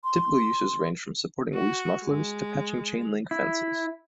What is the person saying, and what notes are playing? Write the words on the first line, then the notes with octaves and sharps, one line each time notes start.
Typical uses range from supporting loose mufflers to patching chain-link fences.
C6
F#4
G#3
E4